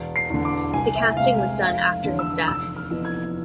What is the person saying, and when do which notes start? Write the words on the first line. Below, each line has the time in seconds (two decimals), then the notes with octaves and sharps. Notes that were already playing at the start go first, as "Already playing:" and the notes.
The casting was done after his death.
Already playing: E1
0.16 C7
0.30 E2 D3
0.45 D6
0.73 C2 G#5
0.96 E5
1.17 C3 G#3 F5
1.34 F5
1.38 G#5
1.61 F1 F5
2.04 E2 D3
2.19 E6
2.48 F1 E6
2.77 F6
2.91 F2 E3 B3
3.05 G#6